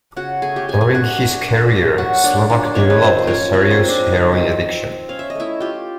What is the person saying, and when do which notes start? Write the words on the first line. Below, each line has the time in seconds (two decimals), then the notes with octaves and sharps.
During his career, Slovak developed a serious heroin addiction.
0.16 C#3 F#4 F#5
0.42 A3 G#4 G#5
0.56 G4 G5
0.68 A3 G#4 G#5
0.81 G#4 G#5
0.94 D4 F#4 F#5
1.20 D4
1.46 D4
1.73 A3
1.98 F#3 F#4 F#5
2.24 A#3 D4 D5
2.50 F#3 D4 D5
2.65 D5
2.75 D#3 C#4 C#5
2.90 B4
3.01 F3 C4 C5
3.18 C5
3.27 F3 C#4 C#5
3.53 F3 C#4 C#5
3.71 C4 C5
3.79 F3
3.88 D4 D5
4.05 C#3 D#4 D#5
4.32 C4
4.57 C4
4.83 C4
5.09 C#4 F5
5.19 E5
5.30 D#5
5.35 A3 E4 E5
5.60 F4 G4 G5